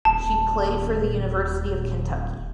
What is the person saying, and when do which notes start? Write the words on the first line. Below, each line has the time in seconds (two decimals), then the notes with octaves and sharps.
She played for the University of Kentucky.
0.05 D#1 A5